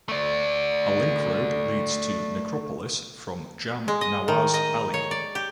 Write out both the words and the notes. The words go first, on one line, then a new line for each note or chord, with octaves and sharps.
A link road leads to necropolis from Jam Nawaz Ali.
A3 D5
G#3
D#5
D#3
D#5
C#5
D5
G4